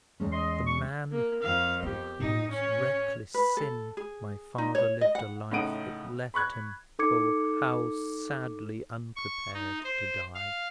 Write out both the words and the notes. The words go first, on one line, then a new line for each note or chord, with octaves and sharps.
The man through whose reckless sin my father lived a life that left him, oh! how sadly unprepared to die!
E2 G#3 C#4
D#5 C6
C#6
A#3
F2 F5
B3 G4
A2 D#4
C#4 C#5
B4
A4
G#4
D#4
C#5
D#5
F#5
A2 C#3 D#4 F#5 D7 D#7
B5 C#6 F#6 G#6
D#4 A4 D6 G#6 C#7
C#6
D#4
C5
F5